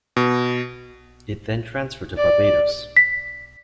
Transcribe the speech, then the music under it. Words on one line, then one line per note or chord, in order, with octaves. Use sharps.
It then transferred to Barbados.
B2
D5
B6